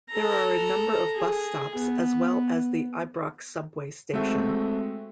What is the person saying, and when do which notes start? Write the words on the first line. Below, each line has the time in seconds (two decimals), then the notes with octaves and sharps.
There are a number of bus stops as well as the Ibrox Subway station.
0.11 A4 A#5
1.15 G#4
1.76 B3
4.13 G#3 A3 C4 F#4 E5